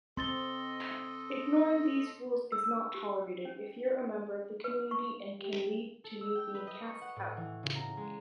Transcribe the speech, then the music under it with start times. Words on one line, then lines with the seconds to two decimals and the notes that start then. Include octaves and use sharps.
Ignoring these rules is not tolerated, if you’re a member of the community, and can lead to you being cast out.
0.17 C4 A4 D#5 C6 A6 G7
2.52 E6
2.94 G4
3.45 C#4
4.64 B4
4.91 C#6
5.40 G4
6.04 A4
6.21 E6
6.35 G5
6.55 B4
6.67 D#5
6.86 C#6
7.01 F#5
7.16 A2
7.37 E3
7.63 C#3
7.75 A#5
7.97 G#3